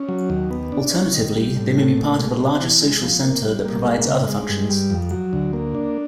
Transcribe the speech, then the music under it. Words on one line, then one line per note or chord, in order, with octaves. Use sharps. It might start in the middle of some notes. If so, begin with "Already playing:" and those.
Alternatively, they may be part of a larger social center that provides other functions.
Already playing: C#4
F#3
D#2
B3
D4
C#4
D#3
G3
A2
A3
A#2
G#3
C4
E3
G#3
F3
A#3
G3
A#3
G#3
C#3
G#3
G2
G3
F2
F#3
D2
A#3
D4